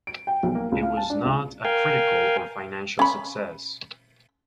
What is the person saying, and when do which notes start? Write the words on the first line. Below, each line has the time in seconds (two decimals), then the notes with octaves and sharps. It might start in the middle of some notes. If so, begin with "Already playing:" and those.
It was not a critical or financial success.
0.07 D7
0.27 G5
0.43 B1
0.55 A#3
0.72 C#2
0.83 F5
0.97 A5
1.10 D4
1.25 C#2
1.65 A#4 F5 G5 G#5
2.99 C#4 B5